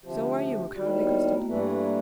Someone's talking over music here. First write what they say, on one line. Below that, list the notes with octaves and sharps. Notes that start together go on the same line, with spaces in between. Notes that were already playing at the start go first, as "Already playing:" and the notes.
"So are you a cowardly custard."
D2 C3 F3 G4
D#2 D#3 G3 F#4
E4
B3
A3
A#3
G2 E3 A3
A#3